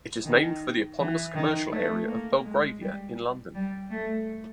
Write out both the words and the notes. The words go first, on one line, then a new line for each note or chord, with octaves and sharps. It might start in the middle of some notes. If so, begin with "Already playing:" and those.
It is named for the eponymous commercial area of Belgravia in London.
D#3
E3
D#3
A3
A#3
G#3
G3
G3
A3